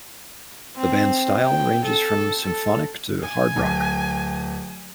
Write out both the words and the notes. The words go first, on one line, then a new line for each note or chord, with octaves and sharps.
The band's style ranges from symphonic to hard rock.
C4
G5
A4
A4
G#5
D1